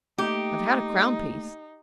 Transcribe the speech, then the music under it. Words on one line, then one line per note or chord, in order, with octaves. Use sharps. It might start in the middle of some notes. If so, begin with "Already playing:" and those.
I've had a crown-piece.
A3 A#3 D#4 G4